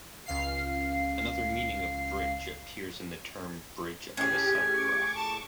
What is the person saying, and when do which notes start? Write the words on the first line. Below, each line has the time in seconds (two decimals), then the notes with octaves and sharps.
Another meaning of "bridge" appears in the term bridge of a subgraph.
0.26 C#2 F5 C7
4.17 A2 C#4 G4 G#4 G#6
4.73 C#6 D6
5.16 A5